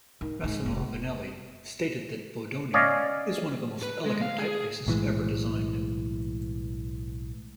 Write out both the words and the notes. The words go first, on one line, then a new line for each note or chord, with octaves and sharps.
Massimo Vignelli stated that Bodoni is one of the most elegant typefaces ever designed.
D#3
G#2
F1
C#4 D5 D#5 F5
B4
G#3
F5
G#4
B1 A2 E3 G#3